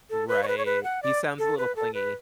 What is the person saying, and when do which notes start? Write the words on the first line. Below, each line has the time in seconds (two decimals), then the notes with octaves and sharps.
Right. He sounds a little clingy.
0.10 A4
0.28 B4
0.43 C#5
0.48 B4
0.58 C#5
0.66 B4
0.84 F#5
1.03 D5
1.39 A4
1.58 B4
1.76 A4
1.94 B4